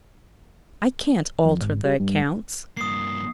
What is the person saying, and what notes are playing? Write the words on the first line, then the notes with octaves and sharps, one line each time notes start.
'I can't alter the accounts.
F2
G#1
G3
G2
G2 A#3 D#6 C7